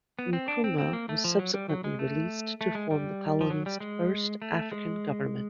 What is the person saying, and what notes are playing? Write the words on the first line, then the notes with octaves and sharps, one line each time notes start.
Nkrumah was subsequently released to form the colony's first African government.
B3
C4
D4
C4
C4
A#3
A3
F3
F#3
G3
F#3
G#3
A3
A3
G#3
G3
F3
F#3
G3
G#3
A3
G#3